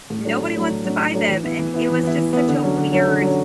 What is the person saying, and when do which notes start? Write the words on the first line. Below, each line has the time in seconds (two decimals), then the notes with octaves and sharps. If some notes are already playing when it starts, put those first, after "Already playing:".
nobody wants to buy them," and it was just such a weird
0.10 A2
0.25 F#3 A3 D4
0.41 A2
0.55 F#3 A3 D4
0.70 A2
0.84 F#3 A3 D4
0.99 A2
1.14 F#3 A3 D4
1.29 E3
1.44 B3 E4
1.59 E3
1.74 B3 E4
1.89 E3
2.03 B3 E4
2.18 E3
2.33 B3 E4
2.48 D3
2.63 F#3 C#4
2.77 D3
2.92 F#3 C#4
3.07 D3
3.22 F#3 C#4